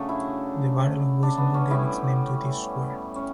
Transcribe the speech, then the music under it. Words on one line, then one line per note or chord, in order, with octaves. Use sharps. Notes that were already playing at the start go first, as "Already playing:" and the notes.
The Battle of Weissenburg gave its name to this square.
Already playing: C#3 F#3 A3 D4
E4
D4
B3
C#4
A2 G3 E4
C#4